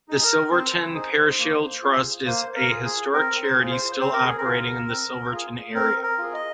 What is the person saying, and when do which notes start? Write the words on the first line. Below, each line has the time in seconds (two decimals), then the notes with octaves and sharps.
The Silverton Parochial Trust is a historic charity still operating in the Silverton area.
0.08 D#4 G#4
0.23 A#4
0.51 C4 C5
0.95 D#4 G#4
1.38 A#3
1.82 F4 G#4
2.26 A#3 C5
2.55 A#4
2.70 F4 G#4
2.84 G#4
3.13 C4 A#4
3.43 C5
3.56 F4 G#4
3.71 C5
4.00 C4 C5
4.13 A#4
4.25 G#4
4.38 A#4
4.44 F4 G#4
4.88 C4
5.31 F4 G#4
5.74 C4 A#4
6.03 A#4
6.18 F4 G#4
6.34 D#5